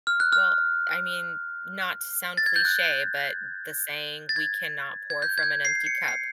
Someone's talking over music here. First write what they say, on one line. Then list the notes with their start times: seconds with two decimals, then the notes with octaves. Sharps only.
Well, I mean, not to sound cliche, but the saying "We cannot pour from an empty cup."
0.07 F6
0.20 F#6
0.32 F6
2.37 A6
2.46 G#6
2.56 G6
2.65 F#6
4.29 A6
4.36 G#6
5.10 G#6
5.22 G6
5.38 G#6
5.43 G6
5.65 C7
5.86 C#7
6.08 C7